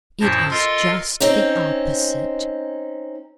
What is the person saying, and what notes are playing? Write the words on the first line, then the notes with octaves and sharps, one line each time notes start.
It is just the opposite.
F#2 A#2 F3 E4 A5 A#6
F4 A4 A#4 D#5 C6
C4 C#4 D#4